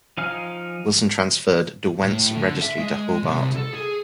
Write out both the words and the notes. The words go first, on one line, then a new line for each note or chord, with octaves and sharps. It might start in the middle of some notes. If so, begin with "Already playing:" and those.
Wilson transferred "Derwent"s registry to Hobart.
F3 D#4 F5 G#5 F6
A2
D3
E5
G#3
C2
A4
G#4